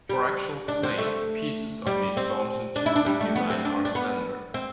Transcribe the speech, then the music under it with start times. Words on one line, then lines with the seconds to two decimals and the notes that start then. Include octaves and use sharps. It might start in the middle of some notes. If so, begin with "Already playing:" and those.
For actual play, pieces of the Staunton chess set design are standard.
0.09 G3
0.68 D4
0.83 C4
0.98 A3
1.87 G3
2.17 C4
2.76 D4
2.86 E4
2.96 D4
3.06 G3
3.21 A3
3.36 B3
3.50 C4
3.65 D4
3.85 D4
3.95 B3
4.54 C4